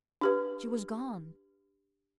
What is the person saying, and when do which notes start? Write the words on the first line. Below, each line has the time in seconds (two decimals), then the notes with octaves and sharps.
She was gone.
0.21 D4 G4 B4